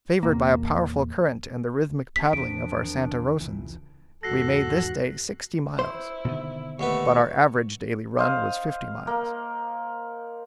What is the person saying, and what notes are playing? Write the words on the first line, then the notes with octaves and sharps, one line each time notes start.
Favored by a powerful current and the rhythmic paddling of our Santa Rosans, we made this day sixty miles; but our average daily run was fifty miles.
E2 A#2 A#3
A3 C#4 G4 B6
E1 E2 D#3 F3 C4 D4 D7
F1 C#2 E3
E2 G#2 F#4 A4 F#6 A#6 C7
E4 C5
B2 D3 D#3
D#2 A3 B3 B4 C#6
C5 D#5 F5
A#3